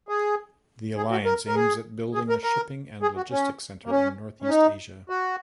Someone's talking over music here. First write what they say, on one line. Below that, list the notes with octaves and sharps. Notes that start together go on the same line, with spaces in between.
The alliance aims at building a shipping and logistics center in Northeast Asia.
G#4
G#4
F#4
A#4
A#4
G#4
G#4
A#4
A#4
G#4
F#4
C#4
A#3
C#4
C#4
D#4
F#4